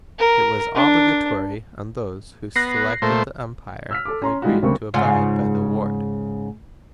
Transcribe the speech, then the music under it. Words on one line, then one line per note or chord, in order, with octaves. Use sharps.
It was obligatory on those who selected the umpire and agreed to abide by the award.
A#4
D4
B3 F#6 A#6 C7
A#2 A3 C5
E6 F6 B6
A4 D6
C#4 A#5 C6
E3 G3 G#3 D#4 F4 F#4
D2 C#3 G3 A#3 C4 C#6
G#2 C#3 F4